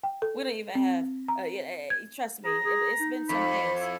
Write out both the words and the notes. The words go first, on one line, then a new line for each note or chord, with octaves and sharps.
don't even have Uh, yeah, eh eh, e trust me. It wa It's been some things.
G5
A4
C4
A#5
G#6
G#4 A#5
G#4
D#4
F2 B5
E4